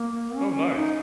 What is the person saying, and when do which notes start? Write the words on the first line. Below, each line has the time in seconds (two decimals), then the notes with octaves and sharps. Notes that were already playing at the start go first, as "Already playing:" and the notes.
Oh, nice.
Already playing: A#3
0.37 C#4
0.75 D#4